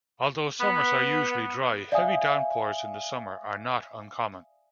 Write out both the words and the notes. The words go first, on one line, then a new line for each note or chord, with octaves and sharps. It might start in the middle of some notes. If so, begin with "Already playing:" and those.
Although summers are usually dry, heavy downpours in the summer are not uncommon.
B3
D5 E5 F5 G#5 D#6